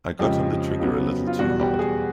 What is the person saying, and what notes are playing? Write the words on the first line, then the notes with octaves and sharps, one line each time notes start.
I got on the trigger a little too hard.
F2 C#3 F3 G#3 G4
C#3 F#3 B3
F4
E2 B2 G3 B3 F#4
G4
G#4